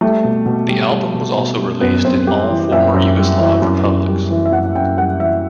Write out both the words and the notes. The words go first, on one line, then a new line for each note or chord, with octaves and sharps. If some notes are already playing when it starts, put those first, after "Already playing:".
The album was also released in all Former Yugoslav republics.
G3 A3
B2
B2
G3
G3
B2
B2
G3
F#2 B3
F#2 C4
G3 G4
E3
F#2 E5
F#2
G3
E3
F#2
F#2
G3
E3
E5
F#2 F#5
F#2 G5
G3 F#5
E3 E5